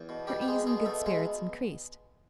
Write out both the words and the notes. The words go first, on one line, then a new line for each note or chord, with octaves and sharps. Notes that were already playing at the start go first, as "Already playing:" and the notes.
Her ease and good spirits increased.
Already playing: E2
B2
B2 G3 G4
G4
G#3 G#4
B2 G#3 G#4
B2 A3 A4
B2 G#3 G#4